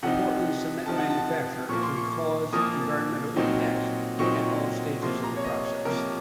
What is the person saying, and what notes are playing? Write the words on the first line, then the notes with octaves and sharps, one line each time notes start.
Portland cement manufacture can cause environmental impacts at all stages of the process.
C3 F3 C4 D#4 F#5
C3 F3 C4 D#4 A5
F#5
A5
A#2 F3 A#3 C#6
C6
C#6
A#2 F3 A#3 D#6
A#2 F#3 C4 D#4
A#2 F#3 C4 D#4 C#6
C3 F3 A#3 C6
A#5
C#5
D#5
C#5
C3 F3 A#3 A#4